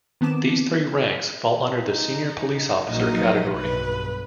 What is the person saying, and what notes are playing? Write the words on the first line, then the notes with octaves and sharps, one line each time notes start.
These three ranks fall under the senior police officer category.
D#3 B3 C4 A5 D6 E7
D#4
A#1 F#3 A#3 D#4 D#5
B1 G2 B4